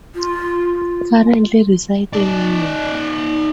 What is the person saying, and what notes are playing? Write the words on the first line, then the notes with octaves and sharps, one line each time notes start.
He currently resides in New York.
F4
D#4 D5